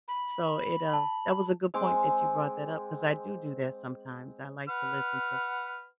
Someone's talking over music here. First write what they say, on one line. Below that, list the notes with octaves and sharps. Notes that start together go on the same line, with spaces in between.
So, it, uh that was a good point that you brought that up 'cause I do do that sometimes, I like listen to
B5
A5
G#3 C4 D6
B4 F#5 F6